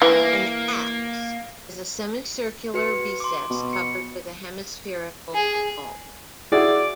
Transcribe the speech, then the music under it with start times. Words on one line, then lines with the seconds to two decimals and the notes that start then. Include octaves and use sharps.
An apse is a semicircular recess covered with a hemispherical vault.
0.02 E3 A#3
2.74 F#4 B4 C#7
3.20 C6 D6
3.50 B2
3.73 C#7
5.34 G#4
6.52 E4 F#4 G#4 D5